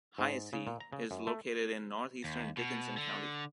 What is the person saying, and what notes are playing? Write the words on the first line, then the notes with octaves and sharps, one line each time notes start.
Haysi is located in northeastern Dickenson County.
G#2
C#3
A#2
A#5
C#3
F#2
A3
D#2
B2
D3